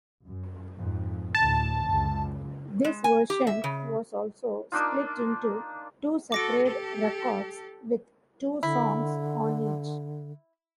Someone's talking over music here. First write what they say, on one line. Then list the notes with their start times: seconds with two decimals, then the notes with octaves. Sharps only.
This version was also split into two separate records, with two songs on each.
0.25 F#2
0.77 F2 G#2
1.35 D2 A2 D3 A5
1.85 C#2 F#2
2.84 G#3
3.04 G#5
3.30 G4
3.47 E5
3.64 C#3
4.72 A#3 D4 D#4 F4
6.32 F#4 A4 D6 A#6 D7
6.67 G4 A4
8.63 D3 E4